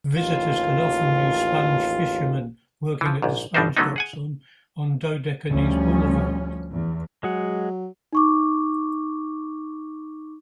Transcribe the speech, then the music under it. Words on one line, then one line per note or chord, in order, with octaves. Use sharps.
Visitors can often view sponge fishermen working at the Sponge Docks on Dodecanese Boulevard.
A1 D#2 F4
E3 F3
A#1 G#2
G1 B2 G3 D4 D#4 C5
D3 F#3 A3 B3 C#4 D#4
G#4 F#5 G#5
D2 F3 G3 C#4
E2
F#3 G#3 G#4 F#5
D#4 C#6 D6